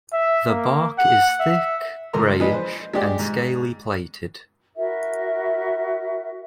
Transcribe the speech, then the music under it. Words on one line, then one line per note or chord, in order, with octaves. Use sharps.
The bark is thick, greyish, and scaly plated.
E5
A#3
F#5
E5
C#2 G#2 A4 A#4 A#5 C6
F3 G#3 D4 B4 D#5
C5
G#3 D4 G4 D5
G#2
E4 F#4 A#4 E5